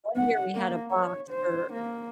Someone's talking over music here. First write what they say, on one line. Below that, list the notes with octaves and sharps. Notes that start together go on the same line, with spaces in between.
One year we had a box for
F#5
A#3
C#5
C5
A#3